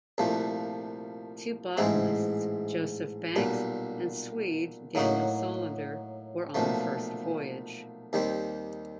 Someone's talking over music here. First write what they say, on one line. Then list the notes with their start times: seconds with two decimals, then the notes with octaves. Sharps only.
Two botanists, Joseph Banks and Swede Daniel Solander, were on the first voyage.
0.18 C2 A#2 F3 A3
1.77 A1 G#2 E3 G#3 C4
3.36 B1 A#2 G3
4.95 A2 F#3 A#3 D#4 F#4
6.54 B1 A#2 F3 A3
8.13 D#2 D#3 G3 C4